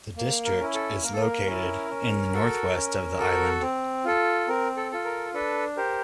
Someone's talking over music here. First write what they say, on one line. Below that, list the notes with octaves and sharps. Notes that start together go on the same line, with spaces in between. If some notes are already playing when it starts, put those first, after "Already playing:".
The district is located in the northwest of the island.
A#3
A#4
C#4 E4
A4
A#3 A#4
A4
A#4
C#4 E4
C#4
F#4 A4
C#4
F#4 A4
C4
F4 A4
C4 A#4
A4
F4 A4
A#4
D4 A4 B4
G4 A#4 C5